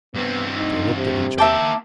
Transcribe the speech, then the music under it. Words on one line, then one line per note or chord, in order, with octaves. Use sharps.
They looked at each other.
G2 B3 C4
D#4
C3
A#3 E5 G5 A5 D6